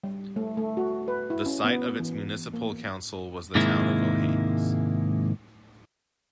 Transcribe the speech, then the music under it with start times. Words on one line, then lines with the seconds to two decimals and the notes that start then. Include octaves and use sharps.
The site of its municipal council was the town of Vojens.
0.04 G3
0.36 A3
0.57 A3
0.77 F#4
1.08 B4
1.30 E4
1.46 C#4
1.64 B3
1.99 E3
2.54 A#3
3.55 G#2 C3 D#3 G#3 A#3 E4